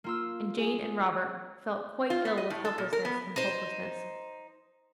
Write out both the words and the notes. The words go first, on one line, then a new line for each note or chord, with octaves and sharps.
And Jane and Robert felt quite ill with helplessness and hopelessness.
A#3 F4 E6
G#4
F4
B3
D#5
A2
A4
A#2
A#4
B3
D#4 C5